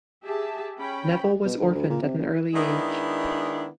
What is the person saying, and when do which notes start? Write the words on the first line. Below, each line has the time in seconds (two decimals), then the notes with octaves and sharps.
Neville was orphaned at an early age.
0.23 G4 G#4 E5 A5
0.78 C#4 G5 B5
1.45 B2
1.61 D2
1.74 D2
1.90 A#2
2.02 C3
2.18 F#1
2.53 D#3 G#3 B3 D4 E4